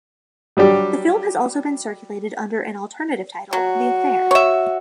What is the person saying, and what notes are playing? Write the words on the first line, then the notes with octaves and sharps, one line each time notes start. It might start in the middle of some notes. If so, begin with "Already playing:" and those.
The film has also been circulated under an alternative title, "The Affair".
F#3 G3 D4 G4
F#3 F#4
C#5 E5